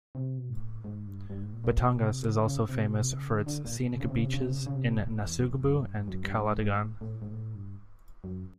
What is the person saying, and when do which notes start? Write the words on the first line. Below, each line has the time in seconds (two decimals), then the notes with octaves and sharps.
Batangas is also famous for its scenic beaches in Nasugbu and Calatagan.
0.15 C3
0.38 B2
0.50 G#2
0.60 A2
0.84 G#2
1.06 G2
1.30 G2
1.41 G#2
1.53 A#2
1.64 A#2
1.76 B2
2.00 C3
2.22 C#3
2.34 D3
2.46 C#3
2.69 C3
2.85 B2
3.00 C3
3.16 C#3
3.31 D3
3.46 D3
3.65 A#2
3.77 B2
3.93 C3
4.00 C#3
4.09 C3
4.18 C#3
4.25 C3
4.33 C#3
4.41 C3
4.50 C#3
4.59 C3
4.66 C#3
4.75 C3
4.95 B2
5.00 A#2
5.20 F2
5.24 E2
5.39 F2
5.47 E2
5.62 F#2
5.77 G2
5.93 F#2
6.08 F#2
6.24 G2
6.40 G#2
6.62 G#2
7.01 A2
7.22 G#2
7.31 A2
7.55 G2
8.24 F#2